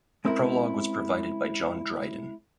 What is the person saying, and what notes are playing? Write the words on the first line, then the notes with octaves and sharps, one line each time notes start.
The prologue was provided by John Dryden.
G#3 C4 C#4 E4 A#4